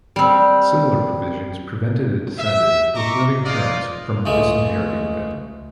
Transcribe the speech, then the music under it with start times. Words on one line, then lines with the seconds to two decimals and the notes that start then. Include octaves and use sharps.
Similar provisions prevented a decedent with living parents from disinheriting them.
0.16 G3 C4
2.38 E5
2.94 D#5 E5 A#5 C#6 D6
3.44 D#4 F4 D5 D#5 F5
4.26 C#2 G#3 A3